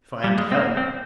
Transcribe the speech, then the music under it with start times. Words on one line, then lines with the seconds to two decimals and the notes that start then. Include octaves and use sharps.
"If I am to help...."
0.24 G3
0.38 G#3
0.52 C4
0.57 A#3
0.77 C4